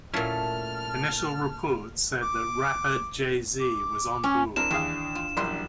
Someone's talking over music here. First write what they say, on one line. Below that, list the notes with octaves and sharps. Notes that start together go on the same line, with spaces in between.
Initial reports said that rapper Jay-Z was on board.
A#2 A3 C#4 E4 F4 A5 F6
D6
D6
C#4
E3 C4 D4 A#4 E7
D#2 E3 G#4 F5
F4
A#1 F#2 E3 G3 C6